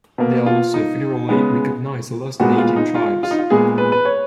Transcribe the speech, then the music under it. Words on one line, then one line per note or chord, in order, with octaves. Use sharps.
There are also federally recognized Alaska Native tribes.
B2 A#3
F4
D#4
C#3 G#3 B3
A#2 G#3 B3 F#4
F4
D#4
F4
F4
D#4
F4
A#2 G#3 B3 G#4
B4
B4
C#5